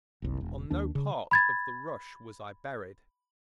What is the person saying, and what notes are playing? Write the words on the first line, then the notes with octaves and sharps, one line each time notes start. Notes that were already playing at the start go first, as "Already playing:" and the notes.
On no part of the rush was I buried.
F#1 C2
E1
D#2 D#3 D4
C#3
B5 G#6 A6